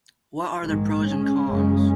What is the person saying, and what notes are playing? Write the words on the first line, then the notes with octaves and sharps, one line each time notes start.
What are the pros and cons?
A#1 G#2 D#3 G#3
G#3 C#4
F#1 F#2 C#3 G#3 C#4